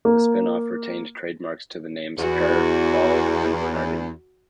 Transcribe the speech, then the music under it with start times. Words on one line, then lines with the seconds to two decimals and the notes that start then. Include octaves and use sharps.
The spin-off retained the trademarks to the names Kerr, Ball, and Bernardin.
0.05 A#3
2.18 E2 F#4